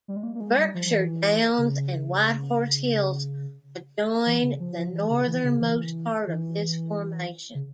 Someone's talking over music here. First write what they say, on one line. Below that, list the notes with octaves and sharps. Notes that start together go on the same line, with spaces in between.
The Berkshire Downs and White Horse Hills adjoin the northernmost part of this formation.
G3
G#3
A#3
A#3
G#3
G3
F3
F3
E3
C#3
E3
C#3
F3
F3
E3
C#3
E3
C#3
E3
E3
C#3